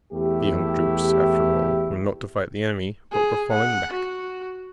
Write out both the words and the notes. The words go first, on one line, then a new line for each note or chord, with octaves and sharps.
The young troops, after all, were not to fight the enemy, but were falling back.
E2 A3 E4 G4
G#4
F#5
F#4